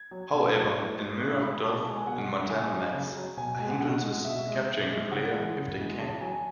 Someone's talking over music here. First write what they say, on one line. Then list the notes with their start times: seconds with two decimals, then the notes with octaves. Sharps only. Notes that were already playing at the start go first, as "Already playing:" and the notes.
However, Elmyra Duff and Montana Max are hindrances, capturing the player if they can.
Already playing: G#6
0.11 F#3
0.33 B2
0.55 F#3
0.77 A2
0.98 G#3
1.20 A2 F#6
1.31 E6
1.41 G#3 B5
1.53 B5
1.64 B2 A5
1.74 A5
1.85 G#3 G#5
1.96 G#5
2.07 B2 F#5
2.29 G#3
2.50 C#3 G#5
2.72 F#3
2.94 C#3
3.16 F#3
3.37 B2 G#5
3.59 G#3 G#5
3.70 F#5
3.81 B2 F#5
4.03 G#3
4.24 B2 E5
4.47 G#3
4.68 B2 E5
4.90 G#3
5.12 C#3 F#5
5.33 E3 G#3
5.56 C#3
5.78 E3 G#3
5.99 C#3 A5
6.20 F#3 G#5